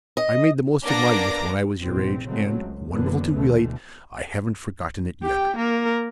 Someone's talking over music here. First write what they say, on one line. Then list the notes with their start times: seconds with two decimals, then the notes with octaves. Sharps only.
I made the most of my youth when I was your age; and, wonderful to relate, I haven't forgotten it yet!
0.17 D#5
0.84 A#3 B3 D4 A#5 D6 A#6
1.82 F1 A#1 E2 C4
2.26 A#2 C#3 F#3 G#3 A3 C4
2.57 C#2
2.91 F#1 F#2 D3 E3 A#3 B3
3.34 D2 B2 D3 E3 A3
5.22 G4 G5
5.57 A#3 A#4